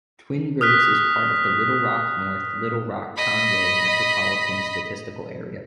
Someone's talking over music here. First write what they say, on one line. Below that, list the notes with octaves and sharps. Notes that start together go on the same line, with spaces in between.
Twin Groves is part of the Little Rock-North Little Rock-Conway Metropolitan Statistical Area.
D#6 F6 F#6 B6
D#5 B5